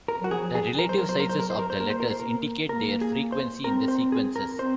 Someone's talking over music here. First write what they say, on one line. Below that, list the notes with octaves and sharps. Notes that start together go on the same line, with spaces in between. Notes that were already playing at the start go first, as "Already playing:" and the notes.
The relative sizes of the letters indicate their frequency in the sequences.
A#4
F#3 F#4
F3 G#4
G#4
F#3 A#4
C5
A#4
C5
A#4
C5
A#4
C5
A#4
A#3 C5
A#4
C5
A#4
C5
A#3 A#4
A#3 A#4
G#4
C5
C4 A#4
C5
G#4
A#4
C4 C5